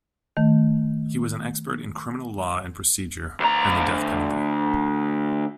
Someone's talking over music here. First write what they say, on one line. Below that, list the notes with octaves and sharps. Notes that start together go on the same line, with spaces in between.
He was an expert in criminal law and procedure, and the death penalty.
D#3 A3
D2 A#5